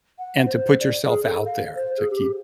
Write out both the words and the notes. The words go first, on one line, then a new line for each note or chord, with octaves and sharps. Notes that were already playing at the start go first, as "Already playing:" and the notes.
and to put yourself out there to keep,
F#5
C5
D5
G#4
A4
F5
C5
G#4
G4